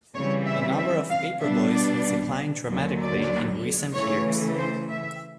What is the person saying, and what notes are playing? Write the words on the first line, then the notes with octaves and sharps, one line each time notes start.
The number of paperboys has declined dramatically in recent years.
C#3 E3 G3 C4 C#5
E5
E5
F5
B2 G3 B3 D4 E5
D5
D#2 D3 F#3
D5
C#3 E3 A3 C#5
C5
E5